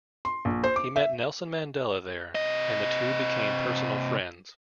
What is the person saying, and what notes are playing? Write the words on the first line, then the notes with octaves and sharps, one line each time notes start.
He met Nelson Mandela there, and the two became personal friends.
C6
A#1
C5
D6
E5
C3 D#5